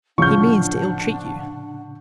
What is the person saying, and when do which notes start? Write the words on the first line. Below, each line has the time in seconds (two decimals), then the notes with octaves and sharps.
"He means to ill-treat you."
0.18 A2 C#3 F3 D4 F#5 C#6 F6 G6